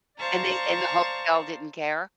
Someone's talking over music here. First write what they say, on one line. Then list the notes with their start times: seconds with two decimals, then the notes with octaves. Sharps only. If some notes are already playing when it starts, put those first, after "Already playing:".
And they and the hotel didn't care?
0.19 C5 D5 F5 A5 A#5 C#6